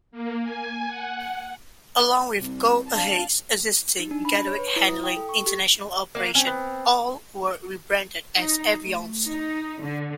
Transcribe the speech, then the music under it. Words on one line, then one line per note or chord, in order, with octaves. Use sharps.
Along with Go-Ahead's existing Gatwick Handling International operation, all were rebranded as Aviance.
A#3
G#5
F#5
C2
D4 F5 A5
D#4
D4
B5
C#5
B4
E4
D#6
G5
A4
C#6
G4
A#3 F5 F#5
C4 C#4
B3
D#4
A3
D#4
D3